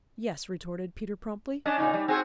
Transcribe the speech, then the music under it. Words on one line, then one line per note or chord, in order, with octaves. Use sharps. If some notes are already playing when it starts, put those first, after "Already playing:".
"Yes," retorted Peter promptly.
C#4 D4 D#5
A#2 C#3 D#4
G3
C4 F#4 G#4